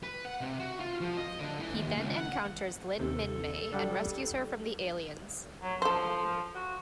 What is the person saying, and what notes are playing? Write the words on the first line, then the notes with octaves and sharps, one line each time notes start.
He then encounters Lynn Minmay and rescues her from the aliens.
B4
F#5
C3
F#4
F4
F3
D#5
D3
E3
D#2
C#2
F#5
D#2 C3 A4
D3 G3 D4
F#3
F3 A4 C5
F#4